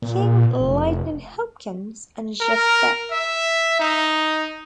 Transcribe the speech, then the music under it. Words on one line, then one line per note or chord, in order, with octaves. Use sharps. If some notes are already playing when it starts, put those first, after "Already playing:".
King, Lightnin' Hopkins, and Jeff Beck.
A#2
F1
A#4
E5
D#4